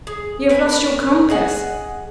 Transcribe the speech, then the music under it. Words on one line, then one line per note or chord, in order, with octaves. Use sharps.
You have lost your compass!
G#4
A#4 B4 G#5
G#4 D#5 F#5 G#5